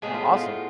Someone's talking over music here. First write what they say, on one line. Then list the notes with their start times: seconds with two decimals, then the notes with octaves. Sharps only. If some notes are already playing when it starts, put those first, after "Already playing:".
Oh awesome.
0.02 A2 G#3 B3 G#4
0.14 F4
0.25 E4
0.36 F4